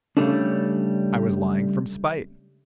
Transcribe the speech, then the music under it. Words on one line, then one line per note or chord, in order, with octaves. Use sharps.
I was lying from spite.
C#3 F#3 G3 A3 C#4 D4